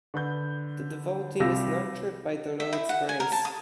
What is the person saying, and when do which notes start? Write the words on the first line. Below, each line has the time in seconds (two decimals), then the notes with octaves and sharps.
The devotee is nurtured by the Lord's grace.
0.14 D3 B4 G6
1.40 C2 G3 F4 G4 E6 A#6
2.60 E5
2.73 E4
2.89 F#5
3.09 G#5
3.20 A#4
3.32 A5
3.45 D#6